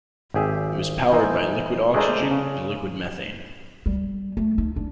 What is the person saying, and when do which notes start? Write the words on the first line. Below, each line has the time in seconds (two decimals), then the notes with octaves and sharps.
It was powered by liquid oxygen and liquid methane.
0.34 G#1 G4 G#4 E5
1.12 E3 D#4 C5
1.94 G#3 A3 D4 G#4 A#4 C5
2.31 C#3
3.86 G3
4.37 A3
4.58 D#4
4.76 D4